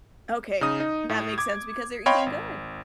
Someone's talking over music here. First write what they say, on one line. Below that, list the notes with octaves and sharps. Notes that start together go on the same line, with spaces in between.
Okay, that makes sense because they're eating good.
C#3 D#4 D#6
D#4
A2
D6 G#6
C#5 D#5 F5 G5 B5 C6
G#1